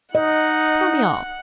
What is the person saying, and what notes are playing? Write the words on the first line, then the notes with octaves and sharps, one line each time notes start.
Tell me all.'
D#4 D#5 F#5